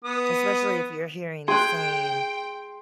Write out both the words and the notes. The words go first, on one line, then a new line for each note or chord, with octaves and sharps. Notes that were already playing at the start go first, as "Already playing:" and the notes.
Especially if you're hearing the same,
B3 D#6
G#4 G5 C6 F#6